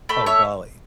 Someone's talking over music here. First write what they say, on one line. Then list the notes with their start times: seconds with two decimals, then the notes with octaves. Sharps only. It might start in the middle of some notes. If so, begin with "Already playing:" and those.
Oh, golly.
0.09 A3 G5 B5
0.26 C#5 E5